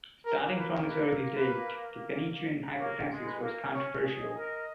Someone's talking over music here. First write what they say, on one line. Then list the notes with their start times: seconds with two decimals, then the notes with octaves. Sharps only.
Starting from this early date, the Penutian hypothesis was controversial.
0.25 A#4
0.41 A#3
0.57 B4
0.89 B4
1.36 B4
2.78 A#3 C#5
3.10 G#3
3.25 B4
3.41 A#3
3.73 C#4 C#5
4.05 G#4
4.20 D#5
4.36 A#4